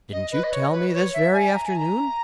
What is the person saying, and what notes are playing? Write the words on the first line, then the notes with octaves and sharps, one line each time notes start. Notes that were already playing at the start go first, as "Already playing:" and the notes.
"Didn't you tell me this very afternoon?"
D#5
B4
D#5
C#5
B4
C#5
E5
G#5
A#5
G#5
A#5